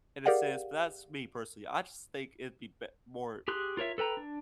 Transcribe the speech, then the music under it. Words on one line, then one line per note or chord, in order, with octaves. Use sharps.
in a sense, but that's me personally. I just think it'd be bet more
G4 G#4 A#4 D5 F5 F#5
G4 G#4 C6 F#6
F4 A#4 C#5 E5
A4 B4 G5 A#5
D4